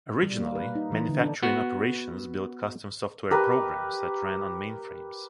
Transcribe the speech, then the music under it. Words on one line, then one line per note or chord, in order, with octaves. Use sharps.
Originally, manufacturing operations built custom software programs that ran on mainframes.
G3
A#3
B4
D#4
E3
D3
D4
B3 F#4
G4 A#4 B4 D#5